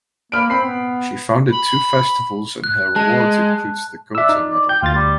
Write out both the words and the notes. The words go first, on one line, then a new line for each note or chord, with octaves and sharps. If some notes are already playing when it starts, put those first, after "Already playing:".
She founded two festivals and her awards include the Goethe Medal.
A#3 B5 F6 D7
C4 B5 C7
B3
B5
F#6
G#3 A5
D4 E5 E6
D#4
D5
G5 G6
D2 F4 A6
G3